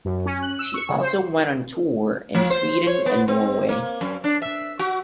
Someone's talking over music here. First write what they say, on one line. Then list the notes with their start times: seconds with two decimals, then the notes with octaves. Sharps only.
She also went on tour in Sweden and Norway.
0.05 F#2
0.26 C#4
0.42 F#6
0.59 E6
0.74 C#6
0.89 C#3
1.01 C5
2.35 F3
2.50 C5
2.87 C#5
3.06 B3
3.28 C4
3.69 A#3
4.01 F#2
4.24 D4
4.42 E5
4.79 F#4